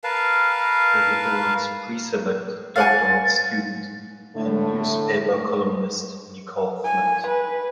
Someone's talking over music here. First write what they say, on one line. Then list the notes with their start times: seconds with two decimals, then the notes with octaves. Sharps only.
The Liberals preselected doctoral student and newspaper columnist Nicolle Flint.
0.04 A#4 B4 F5 A5
2.76 F5 F#5 G#5 A6
4.37 A2 D3 A3
6.85 G#5
7.27 B4